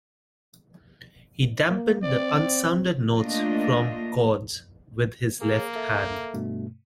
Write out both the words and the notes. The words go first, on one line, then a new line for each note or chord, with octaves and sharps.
He dampened the unsounded notes from chords with his left hand.
A#3
C4 D5
A3 A#3 D4 F4 D#5
A#3 G#4
A4 E5
G2 B2 A3